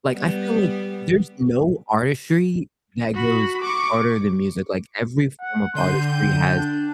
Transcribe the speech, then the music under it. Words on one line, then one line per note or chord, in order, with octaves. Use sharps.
like, I feel like there's no artistry that goes harder than music. Like, every form of artistry has
G3 B3
F#4 B5
C#6 D6
F#5
D3 C6 G6 D#7
G5
D4